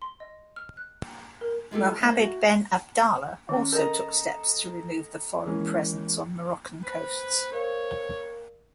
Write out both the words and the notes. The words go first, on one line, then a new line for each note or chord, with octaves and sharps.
Mohammed ben Abdallah also took steps to remove the foreign presence on Moroccan coasts.
C6
D#5
F6
F#6
A#4
G#3 F4 G4 A4
A3 A#3 C5
F#4
D#3 C#4
A4 A#4 D#5 A#5
E3 G#3 A#3 C#4
B4 C5
A#4 C#5 D5 F5